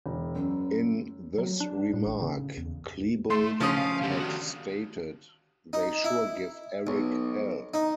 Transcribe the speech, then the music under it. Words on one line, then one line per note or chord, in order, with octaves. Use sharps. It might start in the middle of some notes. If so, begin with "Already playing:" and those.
In this remark, Klebold had stated, They sure give Eric hell.
E1
F#2
F#3
D4
A2
A1
C#3
E2
A3 C6
C#3 F3 C#4 D#6
F5
D3 G4
D#3 F#4
D#4
E4
B1
D#4